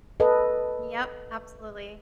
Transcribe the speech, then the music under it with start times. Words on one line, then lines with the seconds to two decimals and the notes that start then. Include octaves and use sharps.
Yep, absolutely.
0.20 A4 B4 D#5